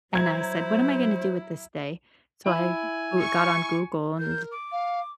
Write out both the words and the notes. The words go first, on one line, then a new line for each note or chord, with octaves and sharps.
and I said, "What am I gonna do with this day?" So I Goo got on Google and
F#3 E4 C5 A#5 G#6
E4 G#5
C#6
A#4 G6
D6
F5